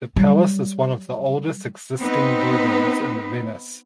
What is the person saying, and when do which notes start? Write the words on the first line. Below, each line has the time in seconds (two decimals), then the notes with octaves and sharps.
The palace is one of the oldest existing buildings in Venice.
0.16 F#3 G3
2.00 B3 C4 D#4 B4